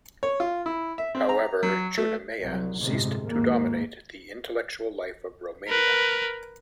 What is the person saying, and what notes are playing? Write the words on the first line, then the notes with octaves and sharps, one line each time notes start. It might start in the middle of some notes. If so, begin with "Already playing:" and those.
However, "Junimea" ceased to dominate the intellectual life of Romania.
C#5
F4
E4
E5
C4
A#5
F#3
A3
C2 F#3
G1 A2 C3 G#3
D#2 G#2 A#3
A#4 B4